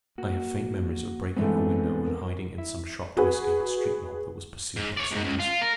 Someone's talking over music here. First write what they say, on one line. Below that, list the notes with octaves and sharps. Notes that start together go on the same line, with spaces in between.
I have faint memories of breaking a window and hiding in some shop to escape a street mob that was pursued by soldiers.
A#3 F#4
G#2 E3 A3 B3 C4 D4
A#4
E4
F#4 G#4 B4
G#2
C#5 D5
C#2 G#2
C#2
F4
A#4